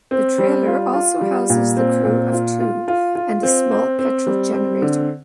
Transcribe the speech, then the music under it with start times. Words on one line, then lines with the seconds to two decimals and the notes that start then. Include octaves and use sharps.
The trailer also houses the crew of two and a small petrol generator.
0.11 C4
0.38 G3
0.66 F4
0.94 F4
1.21 G3
1.50 A#2
1.77 C4
2.05 A#2
2.33 F4
2.60 F4
2.88 F4
3.15 F4
3.43 C4
3.71 C4
3.99 C4
4.27 G3
4.54 C4
4.82 D3